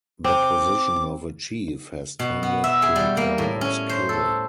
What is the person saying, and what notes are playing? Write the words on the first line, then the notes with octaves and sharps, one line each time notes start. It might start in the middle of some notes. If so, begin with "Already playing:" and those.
The position of a chief has tended to become obscure.
C4 D6
B2
B3
E5
G#4
G3
A#3
A2
C#4
C5
A4